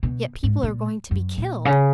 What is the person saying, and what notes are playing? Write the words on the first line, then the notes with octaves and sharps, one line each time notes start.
Yet people are going to be killed.
B2
G#2
A#2
F#2
A#2
C#3